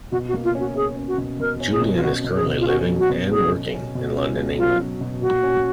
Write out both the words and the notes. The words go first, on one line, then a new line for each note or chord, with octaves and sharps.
Julien is currently living and working in London, England.
B2 F#4
F#4
A#3
F4
C#4 F#4
C#4 G#4
C#4
F#4
B2
B2 A#4
C#4
G#4
B2
F4
B2 F#4
B2
G#4
B2
F4
C#4 F#4
F#3
F#4
B2
C#4 G#4
B2
C#4
B2
C#4
B2
F#3 F4
F#3
B2
A#2 F#4
C#4